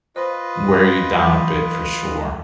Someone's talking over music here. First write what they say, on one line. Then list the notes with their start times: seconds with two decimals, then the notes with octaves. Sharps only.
wear you down a bit for sure.
0.16 F4 B4 C5 D#5
1.19 E3 F#3